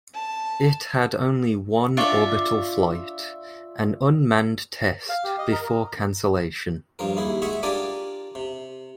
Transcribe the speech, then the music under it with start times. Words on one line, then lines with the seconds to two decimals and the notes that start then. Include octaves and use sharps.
It had only one orbital flight, an unmanned test, before cancellation.
0.14 A5
1.97 D4 F4 C#5 E5
5.09 F5
5.24 G4
5.38 D#5
5.52 A#4
6.99 G2 F3 A#4
7.17 D#2 E4 G#4
7.42 G#3 F#4 G#4 E5 F#5
7.63 D4 F4 G4 A#4 D5 G#5
8.35 C3